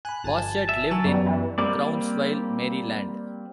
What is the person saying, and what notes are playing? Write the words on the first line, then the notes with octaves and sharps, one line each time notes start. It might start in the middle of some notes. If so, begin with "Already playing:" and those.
Boschert lived in Crownsville, Maryland.
G#5 B5 F#6
G1 G#5 A5
E5
F#3 G#5 E6 A6
F#2 G3 B3 D5
E3
G3 A#3 C4 D5